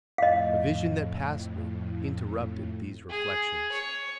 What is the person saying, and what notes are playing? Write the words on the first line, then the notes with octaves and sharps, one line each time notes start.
A vision that passed me interrupted these reflections.
F2 A2 D#5 F5
G#4
C#5